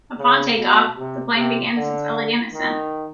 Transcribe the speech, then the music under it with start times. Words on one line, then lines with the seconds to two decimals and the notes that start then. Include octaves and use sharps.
Upon take-off, the plane begins its elegant ascent.
0.18 C#3
0.57 B2
0.97 C3
1.35 C3
1.75 D3
2.52 D#3